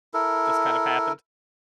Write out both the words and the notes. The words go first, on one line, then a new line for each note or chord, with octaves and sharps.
just kind of happened?
E4 A4 A#4